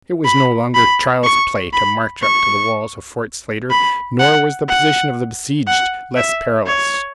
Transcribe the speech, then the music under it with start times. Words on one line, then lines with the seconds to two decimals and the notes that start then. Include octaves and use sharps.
It was no longer child's play to march up to the walls of Fort Slatter, nor was the position of the besieged less perilous.
0.25 B5
0.75 B5
1.24 C#6
1.73 B5
2.22 C#6
3.71 B5
4.19 F#5
4.69 F#5
5.67 F#5
6.16 E5
6.66 C#5